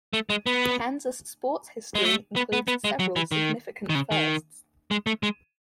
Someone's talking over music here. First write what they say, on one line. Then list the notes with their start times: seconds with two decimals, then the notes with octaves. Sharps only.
Kansas sports history includes several significant firsts.
0.13 A3
0.30 G#3
0.46 B3
1.95 G#3
2.05 A3
2.36 B3
2.53 B3
2.68 B3
2.84 G#3
3.00 F#3
3.16 E3
3.32 D#3
3.89 D#3
3.95 C#3
4.11 D#3
4.91 G#3
5.07 A3
5.23 G#3